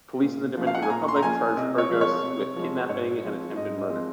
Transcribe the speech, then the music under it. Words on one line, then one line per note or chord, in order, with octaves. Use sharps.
Police in the Dominican Republic charged Burgos with kidnapping and attempted murder.
A#2
F3 A#3 C#4
F5
F#5
G#5
A#2 A#5
C#6
C6
A#5
F3 A#3 C#4 G#5
C3 D#5
C#5
F3 G#3 C4
C#5
C3
F3 G#3 C4
G#2 C#5
F3 G#3 C4
G#2 D#5
D#5
F3 G#3 C4